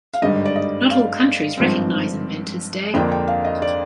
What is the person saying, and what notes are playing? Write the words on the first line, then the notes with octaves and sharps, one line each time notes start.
Not all countries recognise Inventors' Day.
F5
G#1 G2 D3 G3 D#5
D5
D#5
F5
G#1 G2 F3 C4
F2 D3 F3 A#3 D4 G5
G5
F5
D#5
D5